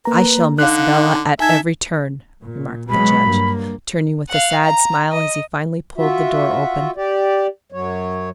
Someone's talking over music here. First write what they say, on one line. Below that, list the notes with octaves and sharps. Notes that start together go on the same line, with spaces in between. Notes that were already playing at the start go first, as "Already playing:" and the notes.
"I shall miss Bela at every turn," remarked the judge, turning with a sad smile as he finally pulled the door open.
A#3 B4 A#5
D3 D#4 F5 F#6
D#4 A4 E5 G#5 G#6
A#2
B2 F#3 G#3 B5
G2 A#3
F5 F#5
A#5
D#5
F4 F#4 E5
G4 D5
F#2 F#3 C#5